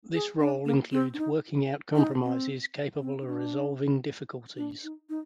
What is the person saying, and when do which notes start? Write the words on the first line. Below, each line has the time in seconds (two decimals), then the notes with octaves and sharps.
This role includes working out compromises capable of resolving difficulties.
0.14 G#4
0.40 D4
0.65 A#3
0.92 C4
1.14 D4
1.18 D#4
1.95 D#4
2.22 C4
3.01 C4
3.21 D#4
3.27 D4
4.57 D4
4.83 D#4
5.09 D#4